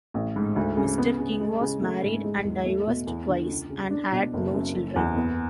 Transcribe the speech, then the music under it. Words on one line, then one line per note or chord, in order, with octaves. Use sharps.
Mr. King was married and divorced twice, and had no children.
A1
G#2
D2
C#3
B3
C#3
G#3
C#3
A3
G#2
G#3
E2
A3
B2
E2
D3
C#2
C#3
D4
B2
F#1
F#2
F#1
E2
B3